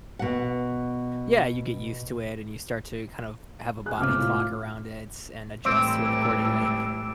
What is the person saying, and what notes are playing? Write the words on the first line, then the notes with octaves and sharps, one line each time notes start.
Yeah, you get used to it, and you start to, kind of, have a body clock around it and adjust to it, accordingly.
B2 F#5
G#4 F#6
G1 C#2 C3 D6 F6
A2 F4
A2 E3 G3 C4 D6 E6 D7